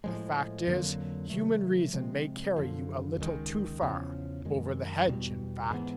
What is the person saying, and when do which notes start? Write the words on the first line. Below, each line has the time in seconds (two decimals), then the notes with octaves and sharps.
The fact is, human reason may carry you a little too far--over the hedge, in fact.
0.04 A2 F3 G#3
0.67 F2 D3 F#3 A#3
1.30 C3 D#3 F#3 A3
1.93 C3 F3 G#3 C4
2.56 F#2 D3 F3
3.18 C#2 C3 D#3 G#3
3.82 E2 C#3 F3
4.45 F#2 D#3 G#3
5.08 E2 B2 G3
5.71 G#2 E3 G#3 B3